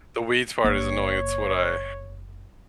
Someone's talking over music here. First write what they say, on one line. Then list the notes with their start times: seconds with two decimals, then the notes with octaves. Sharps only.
the weeds part is annoying. It's what I
0.64 F#1 A#3 C#5